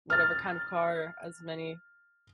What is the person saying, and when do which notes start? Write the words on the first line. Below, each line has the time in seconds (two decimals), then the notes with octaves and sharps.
whatever kind of car, as many
0.10 F6 A6